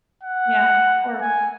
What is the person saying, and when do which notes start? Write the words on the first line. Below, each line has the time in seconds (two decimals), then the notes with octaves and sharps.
Yeah or
0.23 F#5
1.21 G#5